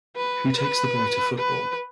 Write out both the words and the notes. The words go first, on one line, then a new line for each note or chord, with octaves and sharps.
Who takes the boy to football?
B4
B4
B4